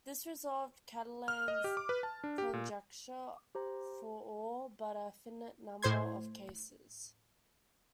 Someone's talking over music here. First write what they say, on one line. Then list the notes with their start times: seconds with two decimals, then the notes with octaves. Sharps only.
This resolved Catalan's conjecture for all but a finite number of cases.
1.28 F6
1.48 D#5
1.64 G4
1.77 D6
1.89 B4
2.03 A5
2.24 D4
2.38 G4
2.53 A#2
3.55 G4 C5 A#5
5.82 A2 C5 C6 G#6